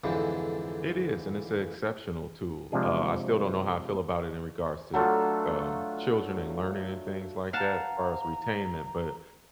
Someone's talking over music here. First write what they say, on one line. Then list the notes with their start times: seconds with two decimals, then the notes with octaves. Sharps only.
It is, and it's a exceptional tool. Uh, I still don't know how I feel about it in regards to, um, children and learning and things like that as far as retainment, but
0.04 F2 G#2 D3 E3
2.72 C3 F3 G#3 D4 G#4
4.94 F#3 A3 D4 F4
7.53 F5 F#5 A5 A#5